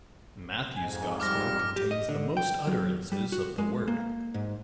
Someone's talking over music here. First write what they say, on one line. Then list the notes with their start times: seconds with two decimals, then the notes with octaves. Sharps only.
Matthew's gospel contains the most utterances of the word.
0.76 F2 G#2 G#5
1.20 G3 D6 F6 A#6
1.76 G4
1.91 D#5
2.09 D3
2.37 G5
2.67 F#3
3.12 G3
3.32 F#4
3.58 G#3
3.88 A#3
4.34 G#2